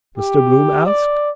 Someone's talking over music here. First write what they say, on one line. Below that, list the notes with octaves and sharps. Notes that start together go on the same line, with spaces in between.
Mr Bloom asked.
G4
D5